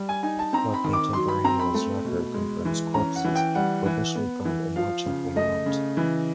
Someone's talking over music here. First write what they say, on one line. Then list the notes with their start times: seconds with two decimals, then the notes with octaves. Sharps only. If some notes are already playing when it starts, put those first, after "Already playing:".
No contemporaneous record confirms corpses were officially buried in Whitechapel Mount.
Already playing: G3
0.09 G#5
0.23 D#4 G#5
0.39 A5
0.53 C4 A#5
0.74 B5
0.84 D#3
0.93 D6
1.13 F#3 C6
1.28 B5
1.44 C4 A#5
1.59 B5
1.74 A3
2.05 B2
2.34 G#3
2.65 E3
2.94 C#4 A#5
3.16 F#5
3.24 E3
3.36 G5
3.55 G3 F#5
3.86 E3
4.15 B3
4.45 E3
4.76 F3 F5
5.06 C#3
5.36 A3 D#5
5.66 C#3
5.97 E3